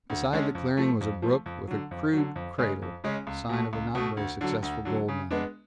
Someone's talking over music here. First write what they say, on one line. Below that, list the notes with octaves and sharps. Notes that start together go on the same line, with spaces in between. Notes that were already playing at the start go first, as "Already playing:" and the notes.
Beside the clearing was a brook, with a crude cradle--sign of a not very successful gold miner.
D2
D3 G#3 C#4
F2
F3 A3
F2
F3 A3
F2
D3 F#3
F2
D3 F#3
F2
C#3 G#3 C#4
F2
C#3 G#3 C#4
C#2
B2 A3
C#2
B2 A3
D2
D3 F#3
D2
D3 F#3
C#3
G#3 B3 D4